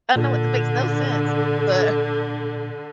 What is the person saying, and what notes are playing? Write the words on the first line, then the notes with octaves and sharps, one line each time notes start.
I know it makes no sense, but
A#2 D3